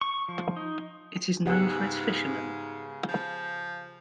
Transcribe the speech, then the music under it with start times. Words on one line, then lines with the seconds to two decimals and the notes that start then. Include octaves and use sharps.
It is known for its fishermen.
0.01 C#6
0.28 F3
0.57 D#4
1.46 G#2 C#3 B3 G4 G#4 F#5 E6
3.09 F3